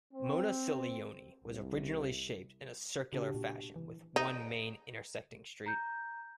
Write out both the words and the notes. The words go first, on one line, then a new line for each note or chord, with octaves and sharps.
Monacilioni was originally shaped in a circular fashion with one main intersecting street.
C4
C2
C#3 D4 F#4 G4
A#2
E3
D#4
A#5 G6